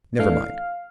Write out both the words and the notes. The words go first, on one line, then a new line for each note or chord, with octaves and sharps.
Never mind.
A2 E3 A3 D4 F5